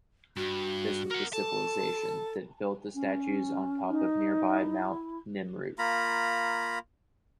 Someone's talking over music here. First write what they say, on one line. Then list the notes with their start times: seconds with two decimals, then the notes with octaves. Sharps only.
This was the civilisation that built the statues on top of nearby Mount Nemrut.
0.37 G2 F#4
1.11 A#4 F#5
1.33 A4 A5
2.94 C#4
3.90 D#4
4.55 E4
5.78 A#3 F4 A#5 B5